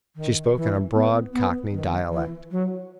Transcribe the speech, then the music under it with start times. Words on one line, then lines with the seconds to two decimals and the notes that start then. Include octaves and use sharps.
She spoke in a broad Cockney dialect.
0.15 D#3
0.55 E3
0.94 B3
1.33 B3
1.72 D#3
2.11 E3
2.50 F#3